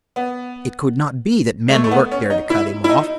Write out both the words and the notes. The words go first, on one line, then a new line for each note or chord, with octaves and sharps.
It could not be that men lurked there to cut him off.
B3
G#3
A3
A3
B3
C#4
D#4
E4
E4
D#4